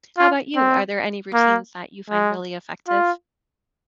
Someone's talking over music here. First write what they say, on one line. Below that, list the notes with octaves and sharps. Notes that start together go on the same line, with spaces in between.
How ‘bout you? Are there any routines that you find really effective?
F4
C4
A#3
G#3
F4